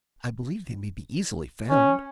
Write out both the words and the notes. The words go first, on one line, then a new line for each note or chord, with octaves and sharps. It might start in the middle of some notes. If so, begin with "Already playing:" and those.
I believe they may be easily found.'
C#4